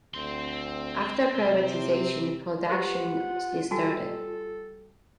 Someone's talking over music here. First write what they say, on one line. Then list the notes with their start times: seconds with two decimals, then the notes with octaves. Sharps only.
After privatisation, production restarted.
0.14 D2 C4 C6
1.36 C3
2.70 F4 G4 B4 C5 F#5
3.71 G3 F#4 A4 G#5 A5